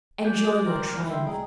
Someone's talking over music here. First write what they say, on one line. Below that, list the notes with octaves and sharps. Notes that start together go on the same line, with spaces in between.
Enjoy your triumph!
G#3 F#4 D5 F5 G#5 G6 G#6
B2 F#3 G3 A#4 C5
F2 B2 D#3 F6
E4 E5 G5 C6
C2 A3 G#4 D5 D#5 G5 A#5